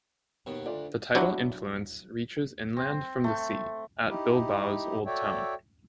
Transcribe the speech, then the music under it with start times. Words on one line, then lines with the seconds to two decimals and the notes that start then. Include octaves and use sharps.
The tidal influence reaches inland from the sea, at Bilbao's old town.
0.46 D#2 B2
0.66 D2 D4 F4 D5
1.15 F#3 D4 E4 F#4
2.77 C4
3.24 A3
4.08 D#4 E4 G4
5.06 F#4 A4 C#5 D5 E5 G5